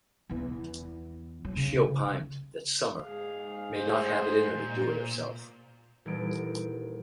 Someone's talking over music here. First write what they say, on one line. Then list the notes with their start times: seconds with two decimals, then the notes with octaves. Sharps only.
She opined that Summer may not "have it in her to do it" herself.
0.29 E2 E3
1.45 F#3
1.56 C#3
3.03 G#2 G#4 F5
3.74 A2 C5 D#5
4.57 A#2
6.05 D#1 E3 G3 D#4 A4 D7